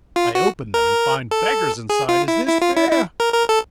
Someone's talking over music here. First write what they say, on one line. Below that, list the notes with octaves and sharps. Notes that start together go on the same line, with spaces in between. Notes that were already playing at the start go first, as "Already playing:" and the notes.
I open them and find beggars inside. Is this fair?
F4
F#4
A#4
A4
G#4
F4
E4
E4
F4
E4
E4
A#4
A#4
A4